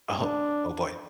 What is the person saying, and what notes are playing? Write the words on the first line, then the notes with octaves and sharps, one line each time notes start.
Oh, oh, boy.
D4